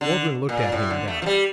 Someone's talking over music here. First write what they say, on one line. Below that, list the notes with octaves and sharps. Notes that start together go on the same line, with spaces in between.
Waldron looked at him in doubt.
D3
A#2
A2
D3
A3
F3
G3